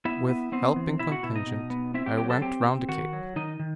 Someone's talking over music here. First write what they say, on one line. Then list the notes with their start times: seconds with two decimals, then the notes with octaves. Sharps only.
With helping contingent I went round the Cape.
0.05 B3 E4 E5
0.29 B3
0.52 B3 C4 C5
0.76 E3
0.99 B2 E4 E5
1.11 F#4 F#5
1.23 B2 E4 E5
1.35 D#4 D#5
1.46 B2
1.70 B3
1.94 C4 E4 E5
2.06 G4 G5
2.18 F#3 G4 G5
2.30 A4 A5
2.41 C4 G4 G5
2.65 C4
2.88 D#3 F#4 F#5
3.13 F#3
3.36 D#3 D#4 D#5
3.60 D#3